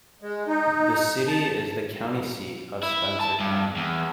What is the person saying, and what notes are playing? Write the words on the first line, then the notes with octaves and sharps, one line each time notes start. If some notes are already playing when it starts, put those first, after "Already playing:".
The city is the county seat of Spencer County.
G#3
D#4
A5
E4
A5
G2
E2